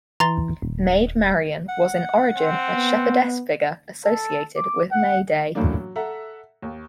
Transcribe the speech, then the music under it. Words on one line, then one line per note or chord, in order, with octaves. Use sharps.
Maid Marian was in origin a "shepherdess" figure associated with May Day.
E3 A#5 C6 A6
D#1
F#5
C4
B3
A4
D6
F#5
F#2 A2 E3 F#3 A#3 D4
F#3
A4 E5 F#5 A#5
D#2